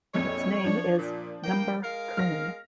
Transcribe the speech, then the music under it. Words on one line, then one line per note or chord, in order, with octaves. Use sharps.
Its name is Number-kun.
A#1 F2 C#5 G#6
F3 D4
A#2
A#3 G5
G#3 A#4 F5
F6 A#6